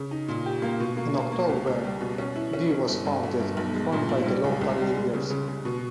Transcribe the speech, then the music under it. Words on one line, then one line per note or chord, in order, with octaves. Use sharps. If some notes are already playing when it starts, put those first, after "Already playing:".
In October, the was founded, formed by local leaders.
Already playing: C#3
D#4
A#2
G4
A#3
B2
A#3
A#3
A#3
C#2
C#2
G3
B2
C#4
E4
C#4
C#4
G1
G2
G1
G1
B1
G#3
A#2
B1
G3
C#2
C#2
G3
G#3
C#3
C#3
C#3
B2